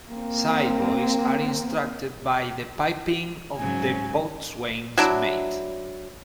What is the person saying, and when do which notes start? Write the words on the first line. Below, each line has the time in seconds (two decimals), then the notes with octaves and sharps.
Sideboys are instructed by the piping of the Boatswain's Mate.
0.11 A#3 C4
3.57 G#2 C#3 F#3 G#5
4.98 F#3 D4 E4